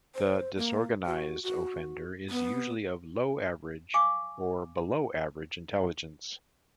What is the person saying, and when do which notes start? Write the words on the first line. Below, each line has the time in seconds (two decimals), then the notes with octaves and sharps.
The disorganized offender is usually of low-average or below average intelligence.
0.15 C5
0.57 A#3
1.06 F#4
1.43 F#4
2.30 B3
3.94 F5 G#5 C#6 D6